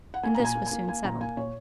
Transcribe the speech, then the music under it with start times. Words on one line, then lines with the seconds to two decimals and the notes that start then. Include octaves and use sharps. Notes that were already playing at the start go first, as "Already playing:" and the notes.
And this was soon settled.
0.14 F#5
0.23 A#3 G#5
0.35 A#2 A#5
0.45 G#5
0.55 A#3
0.66 G#5
0.71 A#3
0.88 A#3 G#5
1.04 A#2 A#5
1.21 A#3 G#5
1.37 A#2 C#5